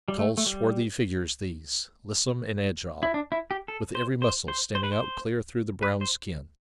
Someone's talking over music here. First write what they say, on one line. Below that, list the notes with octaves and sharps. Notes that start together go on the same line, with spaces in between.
Tall, swarthy figures these, lissome and agile, with every muscle standing out clear through the brown skin.
G3
A3
A3
G3
E4
D4
E4
G4
A4
C5
C5
C5
C5
B4
C5
B4
C5